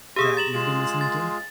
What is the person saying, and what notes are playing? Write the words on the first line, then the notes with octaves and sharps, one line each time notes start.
that you've been listening to?
G4 G#4 E5 F5 D#6
A#5 A6 E7 F#7
G#3 F4 G#4
A6